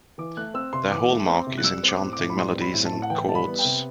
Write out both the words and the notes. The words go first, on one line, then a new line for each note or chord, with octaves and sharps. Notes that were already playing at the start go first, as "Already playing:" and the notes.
Their hallmark is enchanting melodies and chords.
E3 D6
A3 F#6
C4 E6
C3 C6
E3 D6
A3
C4
C3
F#6
G3 E6
C4
D6
A2
D6
A2
B5
G3 C6
C4
B5
A2
A5
A2
F#5
E3 G5
G3 A5
B5
B3
G5
C3